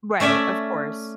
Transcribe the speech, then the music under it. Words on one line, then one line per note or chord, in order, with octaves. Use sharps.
Right, of course.
A3 C#4 D5 E5